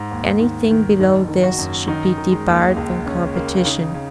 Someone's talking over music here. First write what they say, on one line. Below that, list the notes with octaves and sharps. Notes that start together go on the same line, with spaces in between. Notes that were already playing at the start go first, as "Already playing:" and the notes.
Anything below this should be debarred from competition.
Already playing: G#2
D#2
D#3
D#3
F#1 D#4
D#3
F#4
F#2
D#3 D#4
D#3
G#3
D#2
C#2 G#3
C#3 C#4
C#3 A#3
C#3 D#4
C#3